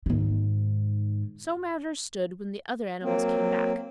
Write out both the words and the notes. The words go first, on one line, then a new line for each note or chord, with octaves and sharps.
So matters stood when the other animals came back.
G#2 D#3
F#3 A#3 C4